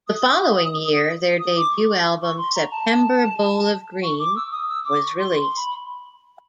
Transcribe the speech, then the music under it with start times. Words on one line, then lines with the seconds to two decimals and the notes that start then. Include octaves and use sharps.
The following year, their debut album "September Bowl of Green" was released.
0.07 D#6
1.39 D#6
1.55 D6
1.71 C#6
2.22 C#6
2.37 C6
2.55 A#5
2.71 A5
4.03 C#6
4.19 D6
4.36 E6
4.51 D#6
4.69 E6
4.85 D6
5.01 C#6
5.18 C6
5.34 C6
5.56 B5